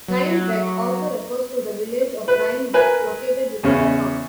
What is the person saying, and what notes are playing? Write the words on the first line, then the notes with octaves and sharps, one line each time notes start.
"Rhinebeck" also refers to the village of Rhinebeck, located within the town.
F#3
B4
A#4 B4 G#5
E2 C#3 C#4